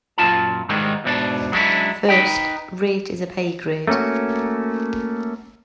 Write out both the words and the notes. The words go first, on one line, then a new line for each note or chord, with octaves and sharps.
First, rate is a paygrade.
F#2 A#2 F3 E4 F4 A5
G#2 D#3 E3 G3 G#3
E2 G#2 B2 D4
F#3 G#3 C#4 D4 E4
D#4 B4 G5
A3 A#3 C#4 F#4